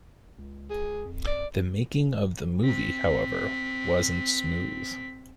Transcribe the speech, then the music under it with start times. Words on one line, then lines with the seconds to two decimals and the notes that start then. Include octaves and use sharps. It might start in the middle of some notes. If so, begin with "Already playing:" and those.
The making of the movie, however, wasn't smooth.
0.39 C#2
0.70 G#4
1.05 F2
1.27 D5
2.61 C4 B6